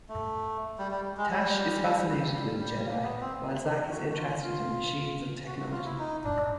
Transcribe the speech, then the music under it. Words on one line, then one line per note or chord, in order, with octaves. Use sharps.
Tash is fascinated with the Jedi, while Zak is interested in machines and technology.
A3
G3
G3
G#3
G3
G3
G3
A#3
B3
C4
D4
F#4
F#4
F4
F4
F#4
F#4
F4
E4
D#4
D4